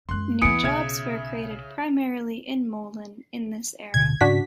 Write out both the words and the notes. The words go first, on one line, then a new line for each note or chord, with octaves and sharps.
New jobs were created primarily in Moline in this era.
F#2 G#3 C6 F#6
E2 E3 B3 E4 G#5 D#6 C#7 D7
B1 C#3 E5 G#6
D1 B2 D3 G#6
G#2 C#3 C#4 D4 F#4 B6